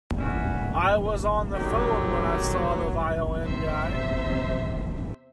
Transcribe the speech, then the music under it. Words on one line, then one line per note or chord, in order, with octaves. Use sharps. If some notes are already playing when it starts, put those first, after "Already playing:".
I was on the phone when I saw the violin guy.
G3 C#4 E4 F#4
D3 D#3 F#3 G4
E2 C3 C5 E5